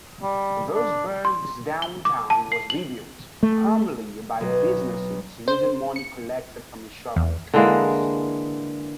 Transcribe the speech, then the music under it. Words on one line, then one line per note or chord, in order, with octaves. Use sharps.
Roseburg's downtown was rebuilt, primarily by businesses using money collected from insurance claims.
G3
D4
C6
G7
D6
A5
C7
F#7
A3
B1
C5
C#7
E2
D3 E3 G#3 A#3